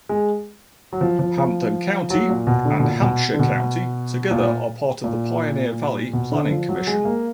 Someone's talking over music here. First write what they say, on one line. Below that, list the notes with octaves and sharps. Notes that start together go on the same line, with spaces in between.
Hampden County and Hampshire County together are part of the Pioneer Valley Planning Commission.
G#3
F#3
F3
F3
F3
F#3
A#2
B2
D3
B2
A#2
B2
D3
B2
A#2
A#2
B2
D3
F3
F#3
G#3
A#3